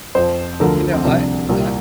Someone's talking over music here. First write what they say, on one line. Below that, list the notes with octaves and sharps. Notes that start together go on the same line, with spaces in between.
You know, I I
F2 F3 C5
D2 D3 F3 A#4
C4
C2 C3 F3 D4
C2 A#2 G3